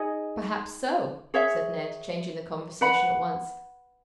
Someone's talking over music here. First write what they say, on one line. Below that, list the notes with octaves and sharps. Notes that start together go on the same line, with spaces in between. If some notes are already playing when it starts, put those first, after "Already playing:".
"Perhaps so," said Ned, changing the conversation at once.
Already playing: D#4 G#4 D#5
G#4 C#5 E5
B4 F#5 B5